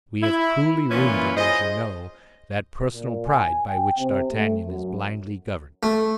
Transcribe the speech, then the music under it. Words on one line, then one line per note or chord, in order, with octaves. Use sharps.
We have cruelly wounded, as you know, that personal pride by which D'Artagnan is blindly governed.
E4
A#2 E3 C#4 E4 F4 B4
F4 G#4 C5 D#5
A#2
G#5
G5
C3
A3
F#2
A3